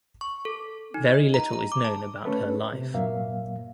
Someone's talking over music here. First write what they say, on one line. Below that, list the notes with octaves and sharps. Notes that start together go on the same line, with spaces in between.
Very little is known about her life.
C#6
A4
D#4
D#5
A#5
A#5
D6
A5
A3 C#4 A4 B4
C3
G2 A#2 F#3 A#3 E5 F5